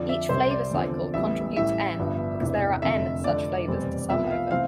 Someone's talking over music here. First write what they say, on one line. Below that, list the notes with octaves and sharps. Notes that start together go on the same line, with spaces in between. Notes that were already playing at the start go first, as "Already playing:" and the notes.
Each flavor cycle contributes N because there are N such flavors to sum over.
Already playing: F2 D3 F3 D5
E5
C2 C3 G3 C5
D5
E2 D3 F3 C4
A1 A2 G3 B3 E5
A1 A2 E3 G3 E5
G1 G2 F3 B3
E1 E2 C3 E3
F1 F2 D3 E5
F1 F2 D3 D5
F1 E2 B2 G3 C4
C2 C3 F3 B3 E5
F5
C3 E3 A3 C4 F5